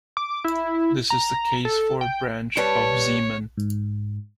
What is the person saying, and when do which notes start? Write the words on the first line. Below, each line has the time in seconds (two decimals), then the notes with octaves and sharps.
This is the case for a branch of Zeeman.
0.17 D6
0.44 E4
1.10 A#5
1.65 A4
2.01 G5
2.57 G3 B4 C#5 A5
3.57 G#2